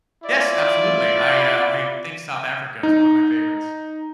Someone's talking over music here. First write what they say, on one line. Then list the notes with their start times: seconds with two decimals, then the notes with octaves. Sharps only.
Yes, absolutely. I, uh, I think South Africa is one of my favorites.
0.24 E4 F4 D5
2.83 D#4